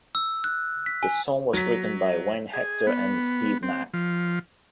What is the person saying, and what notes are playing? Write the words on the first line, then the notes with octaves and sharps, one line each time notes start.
The song was written by Wayne Hector and Steve Mac.
E6
F#6
B6
G#5
F#3 B6
G#4
B3
C4
F3